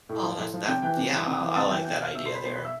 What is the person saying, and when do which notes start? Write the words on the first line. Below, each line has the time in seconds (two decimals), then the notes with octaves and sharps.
Oh, that's that's yeah, I like that idea there.
0.09 A2
0.23 F3
0.38 A2
0.54 F3
0.67 C3 G5 G6
0.82 E3 G5 G6
0.97 C3
1.12 E3
1.26 C3
1.41 E3
1.56 C3 A5 A6
1.70 E3 G5 G6
1.85 B2 G5 G6
2.00 F5 F6
2.15 B2 E5 E6
2.25 C6 C7
2.35 B5 B6
2.44 B2 C6 C7
2.54 B5 B6
2.65 E5 E6